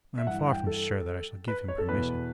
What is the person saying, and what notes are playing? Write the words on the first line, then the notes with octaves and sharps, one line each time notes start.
I am far from sure that I shall give him permission.
E5
G2 E3 F#5
F#5
G5
A4
B4
C#5
A4
E2 B2 B4